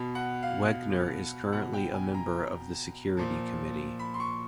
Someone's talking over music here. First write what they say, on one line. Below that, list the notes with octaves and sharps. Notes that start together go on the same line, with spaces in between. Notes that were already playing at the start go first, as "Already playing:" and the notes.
Wegener is currently a member of the Security Committee.
Already playing: B2
F#5
F5
B2 F#5
G5
G#5
A#5
A#2 F3
B5
C6
C#6